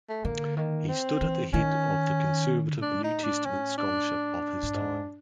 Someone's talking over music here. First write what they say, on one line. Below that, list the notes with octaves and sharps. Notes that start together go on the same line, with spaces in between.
He stood at the head of the conservative New Testament scholarship of his time.
A3
D3 A#3
D#3 A#3
C4
E3
D#3 C#4
A2 D4
D#4
D4
C#4
D4
G2
G#2